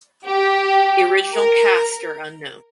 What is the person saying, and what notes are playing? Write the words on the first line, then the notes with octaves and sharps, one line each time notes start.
The original cast are unknown.
G4
A#4